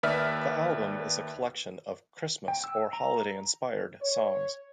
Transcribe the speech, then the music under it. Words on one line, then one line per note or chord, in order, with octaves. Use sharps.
The album is a collection of Christmas or holiday-inspired songs.
D#2 B4 D5 E5 F6
G5
E6
A#5
C#5